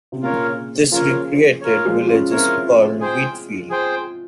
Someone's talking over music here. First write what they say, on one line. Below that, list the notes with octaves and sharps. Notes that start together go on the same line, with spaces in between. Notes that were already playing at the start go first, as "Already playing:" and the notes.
This recreated village is called Wheatfield.
C3
A#2 C#3 F4 A#4 C#5
C#3 F3 F4 A#4 C#5
F4 A#4 C#5
F3 G#3
C#4 F4
C4 E4 F4 A#4 C#5
G#4 C5 G5
G#4 C5 G5